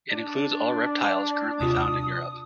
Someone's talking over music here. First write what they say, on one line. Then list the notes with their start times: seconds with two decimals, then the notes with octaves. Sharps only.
It includes all reptiles currently found in Europe.
0.10 D4
1.60 D#2 C3 F4 D#6